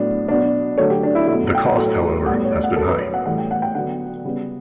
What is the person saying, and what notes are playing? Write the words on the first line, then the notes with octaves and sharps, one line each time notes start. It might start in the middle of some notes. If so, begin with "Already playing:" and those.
The cost, however, has been high.
Already playing: A2 F#3 B3 D4
B2 F#3 B3 D4
D3 F#3 A3 C#5
G4
D4
E4
B2 F#3 A3 E4
G5
F#5
A2 F#3 A3
A2 G3 B3 F#5
C#5
D5
F#5
B2 F#3 B3 A4
B4
C#5
F#5
A2 E3 G3 F#5
G5
F#5
G5
D3 F#3 B3 F#5
C#3 G3 B3